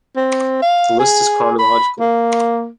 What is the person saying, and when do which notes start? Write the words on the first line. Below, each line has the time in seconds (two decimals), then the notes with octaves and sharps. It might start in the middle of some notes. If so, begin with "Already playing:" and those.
This list is chronological.
0.16 C4
0.62 F5
0.99 G#4
1.59 B5
2.00 A#3